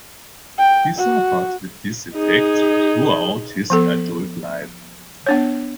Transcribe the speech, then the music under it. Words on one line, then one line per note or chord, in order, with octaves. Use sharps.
He suffered with its effects throughout his adult life.
G5
F#4
D#4 G#4
F3 B3 A4
B3 D4 C#5